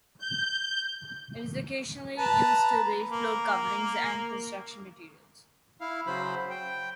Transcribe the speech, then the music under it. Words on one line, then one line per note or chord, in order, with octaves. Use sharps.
It is occasionally used to rate floor coverings and construction materials.
G6
B4 A5 A#5
A#3
E4 F5
C#3 F#3 C5 B5
G5